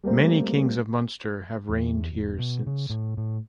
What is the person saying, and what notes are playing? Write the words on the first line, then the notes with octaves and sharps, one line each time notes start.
Many kings of Munster have reigned here since.
G3 A3 A#3 C4
E2
E1
B2
C#3
A2
A2